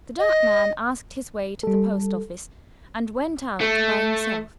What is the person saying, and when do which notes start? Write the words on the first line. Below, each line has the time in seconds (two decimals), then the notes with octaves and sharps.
The dark man asked his way to the post-office and went out by himself.
0.19 D#5
1.63 G3 A4
3.61 A3